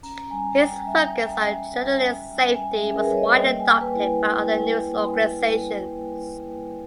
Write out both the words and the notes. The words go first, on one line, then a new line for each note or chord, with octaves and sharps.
His focus on journalist safety was widely adopted by other news organizations.
C#4 A#5
G3 G#5
G3 G5
G3 E5
G5
G3
G#5
C#4
A#5
G3 G#5
C#4
G3
G3 G#5
E5
C#4
G#4
A#4
B4
G3 C#5
D#5
A#3 G5
G#5
A#3
B4
E4